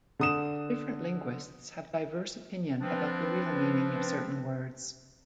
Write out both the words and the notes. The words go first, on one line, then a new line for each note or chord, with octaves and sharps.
Different linguists have diverse opinion about the real meaning of certain words.
D3 D#6 E7
F3 C4 D4 B4